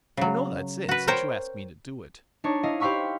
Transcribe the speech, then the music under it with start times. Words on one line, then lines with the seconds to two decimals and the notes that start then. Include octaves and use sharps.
You know that's it, since you ask me to do it.
0.17 C#3 F#3
0.89 F#4 B4
1.07 A#4 C5 C#5 G5
2.44 D4 D#4 C#5
2.63 E4 D#5 F5
2.80 G4 C5 F5 B5 C#6 E6